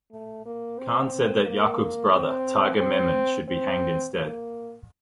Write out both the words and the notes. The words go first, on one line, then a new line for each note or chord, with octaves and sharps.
Khan said that Yakub's brother, Tiger Memon should be hanged instead.
A3
A#3
C4
A#3
C4
C4
C4
A#3